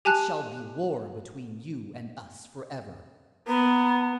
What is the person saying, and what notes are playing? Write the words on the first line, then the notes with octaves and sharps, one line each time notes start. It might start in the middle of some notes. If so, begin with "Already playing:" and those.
It shall be war between you and us forever.
G4 G#5 A5 F#6
B3 A#5